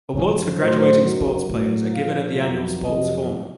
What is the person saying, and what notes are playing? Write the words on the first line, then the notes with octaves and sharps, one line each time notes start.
Awards for graduating sports players are given at the Annual Sports Formal.
F#2 F3 C#4
A2 F#3 C5
F#2 D#3 F#3
A2 F#3
A#2 F3 F5
F2 D#3 F#3
F2 C3 F#3 D#5